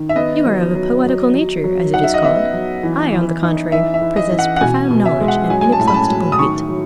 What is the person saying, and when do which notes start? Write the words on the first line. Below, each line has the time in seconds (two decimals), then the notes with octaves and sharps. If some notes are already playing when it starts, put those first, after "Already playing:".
You are of a poetical nature, as it is called--I, on the contrary, possess profound knowledge and inexhaustible wit.
Already playing: D#3
0.09 E5
0.16 B3 D#5
0.45 F#3
0.75 F#3
1.05 F#3
1.35 F#3
1.64 F#3
1.94 D#4 F#5
2.04 E5
2.14 D#5
2.23 B3 E5
2.53 F#3
2.83 E3
3.12 E3
3.42 D#4
3.72 E3 E5
3.94 E5
4.01 E3
4.16 D#5
4.31 E3
4.39 F#5
4.57 F#5
4.61 B2 G#5
4.91 B2
5.06 E5
5.20 G#3
5.28 F#5
5.50 F#3 G#5
5.61 G#5
5.72 A5
5.80 A2
5.88 B5
5.94 A5
6.09 F#3
6.32 D#6
6.39 D#3 C#6
6.69 F#3